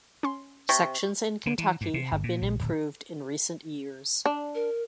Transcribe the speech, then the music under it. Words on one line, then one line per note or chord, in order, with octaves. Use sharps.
Sections in Kentucky have been improved in recent years.
C#4 C6
C3 C#6
D3
E3
G2
C3
G1
A#2
A#1
D1
D4
A#4